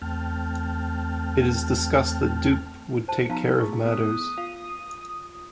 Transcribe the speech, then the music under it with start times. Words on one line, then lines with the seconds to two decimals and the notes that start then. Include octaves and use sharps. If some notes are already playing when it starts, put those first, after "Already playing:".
It is discussed that Doop would take care of matters.
0.02 E2 A3 C4 G5 A5 F6
3.08 C5 A5
3.30 F3 B3 D#4 F5 A5 A#5
3.60 A3 G#4 C#6
3.85 B3 D#6 E6 F#6
4.38 F4 F5